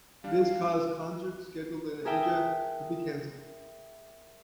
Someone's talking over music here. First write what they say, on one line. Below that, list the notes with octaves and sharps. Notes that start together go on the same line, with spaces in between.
This caused concerts scheduled in Asia to be cancelled.
G3 D4 F5
G#4 A#4 E5 G5 A5 D#6